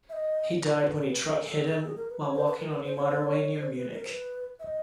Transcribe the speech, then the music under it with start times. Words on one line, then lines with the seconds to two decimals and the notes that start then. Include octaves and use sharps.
He died when a truck hit him while walking on a motorway near Munich.
0.09 E5
0.13 D#5
0.59 D5
0.84 B4
1.09 B4
1.26 A#4
1.43 A4
1.59 A4
1.71 A4
1.84 G#4
1.97 A#4
2.09 B4
2.22 C#5
2.34 C5
2.47 B4
2.59 A#4
2.71 B4
2.84 C5
2.97 C#5
3.08 C5
3.20 C#5
3.59 C5
3.76 B4
3.92 A#4
4.04 C5
4.09 B4
4.60 E5
4.63 D#5